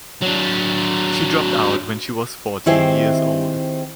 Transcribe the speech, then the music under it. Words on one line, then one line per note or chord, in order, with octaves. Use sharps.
She dropped out when she was fourteen years old.
F#3 D4
D#3 C4 E4 G4 G#4 C5